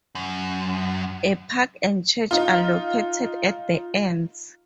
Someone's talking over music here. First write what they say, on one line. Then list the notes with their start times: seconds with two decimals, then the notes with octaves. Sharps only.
A park and church are located at the ends.
0.15 F#2
2.31 D#4 F4